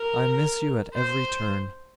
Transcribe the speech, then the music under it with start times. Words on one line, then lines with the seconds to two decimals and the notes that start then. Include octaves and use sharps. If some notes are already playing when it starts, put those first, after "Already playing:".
'I miss you at every turn.
Already playing: A#4
0.94 C5